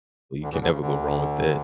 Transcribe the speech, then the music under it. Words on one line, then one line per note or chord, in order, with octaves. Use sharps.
Well, you can never go wrong with that.
D2 D3
E2 E3
D2 D3
C#3
D2 D3